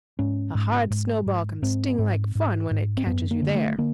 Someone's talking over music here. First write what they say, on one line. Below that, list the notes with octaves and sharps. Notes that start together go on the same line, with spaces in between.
"A hard snowball can sting like fun when it catches you there."
G#2 C#4
G#2
G#2
G#2
G#2 C4
G#2
G#2
G#2
C4
F#2 B3
A#3
D3
A3
D3 A#3